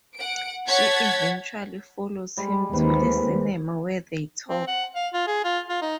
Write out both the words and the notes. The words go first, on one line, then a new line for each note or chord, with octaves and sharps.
She eventually follows him to the cinema where they talk.
F#5 D7
C#5 F#5 A5 G#6 A6 B6
G3 G#3
D#2 D#3 C4 B4
C4
F#5
F5
F4
G#4
F4
F4
D#4